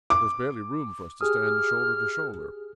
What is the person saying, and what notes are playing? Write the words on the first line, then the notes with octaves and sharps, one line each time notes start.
There was barely room for us to stand, shoulder to shoulder.
D6
G4 G#4 D#6 F6